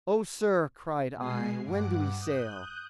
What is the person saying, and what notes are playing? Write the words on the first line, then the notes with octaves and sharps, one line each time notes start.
"Oh, sir," cried I, "when do we sail?"
B2 G#3 G#5 C7
G2 F#5 D6
D#6 F#6 G6